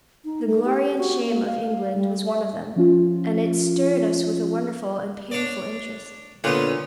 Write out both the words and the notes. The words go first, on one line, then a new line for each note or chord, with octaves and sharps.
"The Glory and Shame of England" was one of them, and it stirred us with a wonderful and painful interest.
D#4
A3
G4
F#4
A#3
F5
G3
E5
F3 C#4 F4
D4 C#5 D5
A#2 D3 B3 C#4 C#5